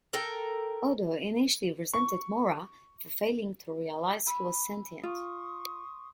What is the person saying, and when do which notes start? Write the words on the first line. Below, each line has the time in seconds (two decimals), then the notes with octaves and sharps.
Odo initially resented Mora for failing to realize he was sentient.
0.13 A4 A#4 G5
1.94 C#6
4.26 G#5 B5 E6
5.03 F4 C6 C#6 D#6